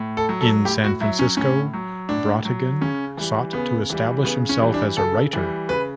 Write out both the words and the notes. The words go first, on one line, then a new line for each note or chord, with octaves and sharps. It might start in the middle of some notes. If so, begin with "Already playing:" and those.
In San Francisco, Brautigan sought to establish himself as a writer.
Already playing: A2
A4
F#3
A4
A2 G4
F#4
F#3 E4
C#4
A2 C#4
F#3
A2 D4
F#3
C#3 C#4
E3 G3
C#3 B3
E3 G3
C#3 B3
C#4
E3 G3
D4
C#3 A4
E3 G3
C#3 B4